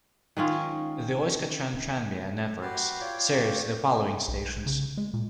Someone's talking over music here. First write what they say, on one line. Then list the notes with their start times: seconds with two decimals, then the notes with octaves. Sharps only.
The Euskotren Tranbia networks serves the following stations.
0.37 D#3 G#3 C#4 F4
2.62 F#4 G4 B4 C6
3.00 F4 C#5 D5 G5
4.28 B1
4.66 C#3
4.97 G#3
5.14 A#2